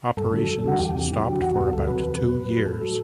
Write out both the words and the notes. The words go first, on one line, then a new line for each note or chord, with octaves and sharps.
Operations stopped for about two years.
G2 A4
D3 F#3
F#2
D3 G3 F#4
E2 G4
C3 E3
F#2
D3 F#3
E2 F#4
B2 G3
D2 A4
C3 F#3 B4
E2 B4
B2 F#3
F#2
F#3
A2 A4
F#3